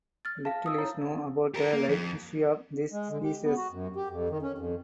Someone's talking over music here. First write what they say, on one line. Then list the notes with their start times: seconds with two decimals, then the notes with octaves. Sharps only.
Little is know about the life history of this species.
0.25 F6 A6
0.45 E5 F5 A5
0.66 D#6 E6
0.78 E4 C#5
1.54 G4 A#4
1.73 A#3
1.89 F2
2.92 G#3
3.09 D3
3.24 G4
3.44 B3
3.57 F#4
3.72 F#2
3.96 G4
4.10 F2
4.29 D#3
4.42 C#4
4.58 F2